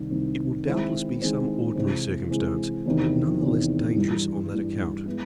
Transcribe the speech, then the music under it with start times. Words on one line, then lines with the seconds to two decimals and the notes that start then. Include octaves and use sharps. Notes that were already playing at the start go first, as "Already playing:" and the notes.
It will doubtless be some ordinary circumstance; but none the less dangerous on that account.
Already playing: C2 C3 D#3
0.10 C2 C3 D#3
0.65 D#3 G#3 C4 E4
1.20 D#3 G#3 C4 E4
1.75 C3 E3 G#3 C4
2.31 C3 E3 G#3 C4
2.86 E2 C3 D#3
3.41 E2 C3 D#3
3.96 G2 E3 G3
4.51 G2 E3 G3
5.06 G#3 B3 E4